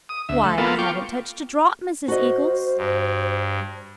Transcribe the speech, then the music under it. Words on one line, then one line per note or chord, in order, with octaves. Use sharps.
'Why, I haven't touched a drop, Mrs. Eagles!'
D#6
D2 E5
A3
A#3 B3 F4 A4
F4 G5 C#6 D6
F#4 C5 D#5
G2